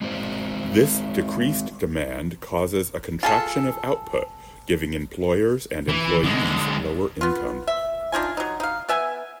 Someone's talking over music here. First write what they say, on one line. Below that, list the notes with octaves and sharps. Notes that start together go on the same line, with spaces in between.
This decreased demand causes a contraction of output, giving employers and employees lower income.
G#3 C4 F#4 G4 C5 D5
F4 G#4 A4
E3
D3 G#3
B3 F4
E5
D4 D#4 F4 G#5
F#3 D#4
D#4 F5
B3 E5 G#5